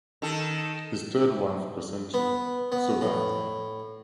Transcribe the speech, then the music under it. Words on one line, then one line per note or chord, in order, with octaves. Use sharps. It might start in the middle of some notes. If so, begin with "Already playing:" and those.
His third wife, Cresentia, survived him.
D#3 A4
B3
B3
A2